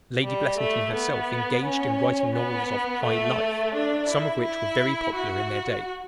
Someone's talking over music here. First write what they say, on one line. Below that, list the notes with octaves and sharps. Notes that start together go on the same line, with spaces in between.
Lady Blessington herself engaged in writing novels of "high life," some of which were very popular in their day.
G3
A3
B3
C#4
B3
A3
D4
E4
E4
F#4